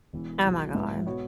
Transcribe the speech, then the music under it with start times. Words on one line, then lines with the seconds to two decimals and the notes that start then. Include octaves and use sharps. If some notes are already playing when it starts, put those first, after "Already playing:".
Oh my god.
0.13 E1 E2 E3
0.44 B1 B2 F#3 E4 G#4
0.75 G#2 G#3 E4 B4 E5
1.06 B2 B3 F#4 C#5